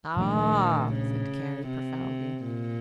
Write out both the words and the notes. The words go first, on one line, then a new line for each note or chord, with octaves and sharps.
"Ah," said Carey profoundly.
A#2 D#3 F3 A3 D4
C#3
C3
A#2